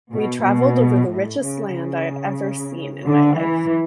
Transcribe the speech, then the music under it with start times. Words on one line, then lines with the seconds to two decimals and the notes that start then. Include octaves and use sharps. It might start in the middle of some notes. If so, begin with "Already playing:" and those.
We travelled over the richest land I had ever seen in my life.
0.12 B2
0.44 B2
1.09 A2
1.41 C#3
1.74 C#3
3.05 D3
3.36 E3